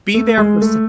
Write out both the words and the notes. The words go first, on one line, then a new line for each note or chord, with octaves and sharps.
Be there for so
A3
G#3
A3